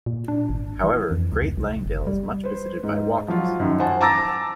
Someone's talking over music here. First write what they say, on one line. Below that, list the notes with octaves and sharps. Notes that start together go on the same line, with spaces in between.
However, Great Langdale is much visited by walkers.
A#2
D4
G#1
E3
F2
C#2
C2
F#1
G3
B4 C5
G#2
F3 F#3 F4
F#2 D#3
C5 F#5 G#5 A5
A5 A#5 D6 E6 A6 A#6